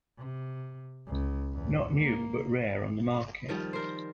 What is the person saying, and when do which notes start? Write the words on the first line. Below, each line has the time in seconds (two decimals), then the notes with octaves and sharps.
Not new, but rare on the market.
0.18 C3
1.07 C#2
1.54 E2 A2
1.99 A#3
3.49 D#3 F3 G3
3.73 A#4 C5